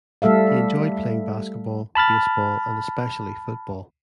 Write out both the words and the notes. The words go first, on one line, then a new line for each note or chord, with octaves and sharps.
He enjoyed playing basketball, baseball, and especially football.
G3 A3 A4 E5 F5
A5 B5 F6 A6